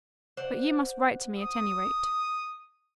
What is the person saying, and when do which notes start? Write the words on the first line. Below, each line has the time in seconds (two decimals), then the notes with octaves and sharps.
"But you must write to me at any rate."
0.37 C5 D5 F#5
1.38 D#6